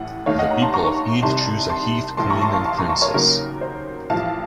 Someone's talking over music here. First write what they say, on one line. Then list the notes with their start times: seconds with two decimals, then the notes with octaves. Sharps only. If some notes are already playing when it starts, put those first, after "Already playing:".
The people of Ede choose a heath queen and princess.
Already playing: A1 A2 F#5
0.26 D#2 D#3 A3 C#5 F5
0.39 D#5 F#5
0.50 F#5 A#5
0.62 A5 C6
0.74 A#5 C#6
1.22 C2 C3 D#3 A5 C6
1.70 A5 C6
2.17 A1 A2 A3 A5 C6
2.30 A#5 C#6
2.42 A5 C6
2.53 F5 A5
2.65 A5 C6
2.78 A#5 C#6
2.89 A5 C6
3.02 A#4 C#5
3.14 D#2 C#3 F#3 A#3 A#4
3.61 C5
4.10 A1 A2 F3 F5 A5